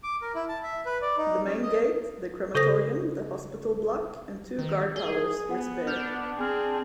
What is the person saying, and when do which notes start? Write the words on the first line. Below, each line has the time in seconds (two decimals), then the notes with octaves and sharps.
The main gate, the crematorium, the hospital block, and two guard towers were spared.
0.03 D6
0.22 A#4
0.35 E4
0.49 A5
0.63 E5
0.86 B4
1.02 D5
1.18 D#4
1.45 C#4
1.63 D#5
2.55 C#3 A4 C5 D#6 A#6
4.58 D#3
4.96 G#4 G7
5.51 B3 F#5
5.87 D4 F6 G6 F7
6.39 C4 G#4 G#5 A5 F6